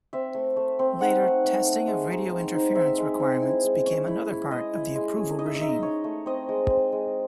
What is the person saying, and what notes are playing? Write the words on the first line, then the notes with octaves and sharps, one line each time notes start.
Later, testing of radio interference requirements became another part of the approval regime.
C4 E5
A3
A3
C4
D#4 F#5
A3
A3
A3
G#3
D#4
C4
D#4
C4 E5
G#3
C4
E4
G#3
C#4
E4
E4
G#3 D#5
E4
G#3
C#4
D#4 D#5
E5
D#5
D#4 E5
D#5
D#4 C#5
A3
C4 D#5
G#3
C4
G#3